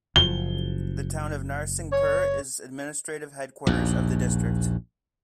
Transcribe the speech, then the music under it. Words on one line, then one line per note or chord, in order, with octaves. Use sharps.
The town of Narsinghpur is administrative headquarters of the district.
F#1 F3 G7
C#5
A#1 D#2